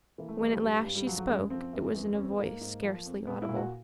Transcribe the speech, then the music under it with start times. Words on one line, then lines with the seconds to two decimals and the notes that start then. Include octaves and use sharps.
When at last she spoke it was in a voice scarcely audible.
0.18 E3 A#3
0.29 A3
0.40 E2 G#3
0.51 G3
0.62 G2 G3
0.85 G2
0.95 G3
1.07 F3 F#3
1.17 F#3
1.28 F#2 G#3
1.50 F3 C4
1.73 F#2
1.95 E2
2.15 E2 C#4
2.23 C4
2.31 B3
2.39 G#2 A#3
2.61 G#2
2.83 F3
3.06 F2
3.27 A#2 B3
3.42 E4
3.49 A#2
3.56 F#4